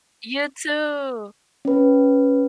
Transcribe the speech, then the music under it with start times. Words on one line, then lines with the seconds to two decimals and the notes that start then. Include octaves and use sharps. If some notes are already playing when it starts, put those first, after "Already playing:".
You too.
1.65 C#4 B4